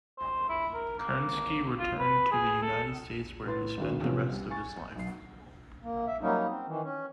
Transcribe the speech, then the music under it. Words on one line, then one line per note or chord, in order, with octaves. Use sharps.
Kerensky returned to the United States, where he spent the rest of his life.
C5
E4
A#4
A#3
F4
B4
G#4
A4
A2 B4 C6 A6
G#1 D2 F#4
C3 F3 B3 C#4
C2
G#5 C#6 A6
B1 C7
A#3
E5
F#3 G3 A#3 C#4 D#4
C4
D#3 E3
C#4